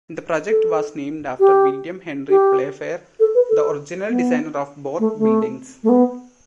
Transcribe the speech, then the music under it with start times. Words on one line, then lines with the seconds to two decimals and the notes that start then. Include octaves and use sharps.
The project was named after William Henry Playfair, the original designer of both buildings.
0.50 A4
1.40 G4
2.29 G4
3.20 A4
3.34 B4
3.49 A4
4.09 B3
4.99 A3
5.18 A3
5.83 A3
5.89 B3